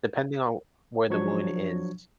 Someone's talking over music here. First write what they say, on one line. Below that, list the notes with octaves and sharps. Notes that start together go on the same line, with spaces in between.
depending on where the Moon is.
F3 F#3 D4 C#6 G#6